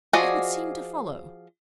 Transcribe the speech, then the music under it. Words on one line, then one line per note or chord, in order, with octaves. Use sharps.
'It would seem to follow.'
F3 F#4 G#4 D5 D#5